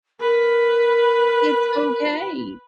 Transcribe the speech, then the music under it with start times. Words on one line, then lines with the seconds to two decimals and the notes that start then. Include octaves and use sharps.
it's okay,
0.20 A#4 B4